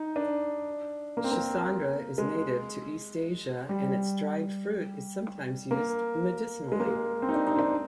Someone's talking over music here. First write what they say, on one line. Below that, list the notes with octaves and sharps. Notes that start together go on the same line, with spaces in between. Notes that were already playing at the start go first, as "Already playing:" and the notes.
"Schisandra" is native to East Asia, and its dried fruit is sometimes used medicinally.
Already playing: D#4
D4
A#3
C4
A#3
G#3
G3
A#3
G#3
A#3
G#3
C4
D#4
D4
D#4
C4
D4